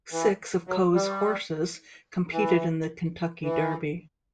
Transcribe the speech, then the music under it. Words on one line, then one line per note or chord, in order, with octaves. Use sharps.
Six of Coe's horses competed in the Kentucky Derby.
E3
F#3
G3
E3
E3